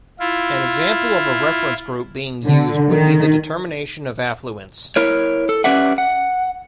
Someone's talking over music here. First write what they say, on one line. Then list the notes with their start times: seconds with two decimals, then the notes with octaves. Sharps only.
An example of a reference group being used would be the determination of affluence.
0.19 E4 F4
2.45 D3
2.90 D#3
4.96 E4 A#4 C#5
5.49 A4
5.64 C#4 G4 B4 D5 E5 F#5
5.98 F#5